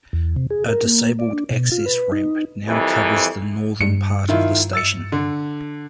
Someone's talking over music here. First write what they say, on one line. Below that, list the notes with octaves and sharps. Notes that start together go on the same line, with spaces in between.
A disabled access ramp now covers the northern part of the station.
E2
C3
G#4
A#4
A#3
D5
D4
B2
F4
B4
D#4
C2 F2 E3
G2 C#7
D#3 E4 F4
E6 A6 C#7
D3